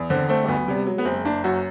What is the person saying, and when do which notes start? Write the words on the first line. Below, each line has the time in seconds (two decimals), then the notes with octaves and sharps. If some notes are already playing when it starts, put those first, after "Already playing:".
'By no means.
Already playing: E2
0.10 D3 C4
0.29 A3 C4
0.48 D2 B3
0.68 C3
0.86 F#3
0.98 B3
1.05 F#1 C4
1.25 F#1 D4
1.44 F#2 F#4